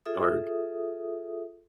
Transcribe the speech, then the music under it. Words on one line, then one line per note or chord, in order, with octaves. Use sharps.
are g
F4 G#4 A4 E5 D#6